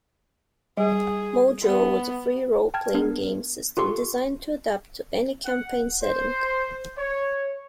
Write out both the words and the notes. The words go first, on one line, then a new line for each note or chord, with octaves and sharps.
Mojo was a free role-playing game system designed to adapt to any campaign setting.
G3 G#4
B3
G5 A5 F6 G#6
B3 D4 A#4
F4 G4 A4 C6 C#6
F#5
C5
C#5